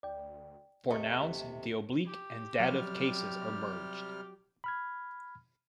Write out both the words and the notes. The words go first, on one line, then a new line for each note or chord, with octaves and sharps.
For nouns the oblique and dative cases are merged.
D2 D5 G5
D#2 C3 A3 D#5
G4
C3 F#3 G3 F6
B5 F6 G#6